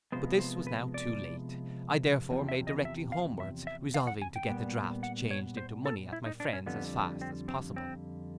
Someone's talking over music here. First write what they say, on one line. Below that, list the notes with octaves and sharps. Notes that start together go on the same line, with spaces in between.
But this was now too late: I therefore made directly homewards, resolving to get the draught changed into money at my friend's as fast as possible.
C3 F3 G#3 B3 C5
C5
B4
D5
E2 C3 F3
E5
D#5
E5
F5
E5
E5
F5
F#5
G#5
G5
A#2 G3 B3
F#5
C#5
C5
A4
E4
D#4
D4
C#4
F2 D3 G3 B3
C4
C4
C4